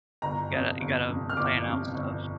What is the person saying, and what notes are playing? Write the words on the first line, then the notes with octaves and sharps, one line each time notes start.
Gotta you gotta plan out stuff.
G1 A#5
F2 C3
G1
F2 C3
F6
G1 D6
F2 C3
G1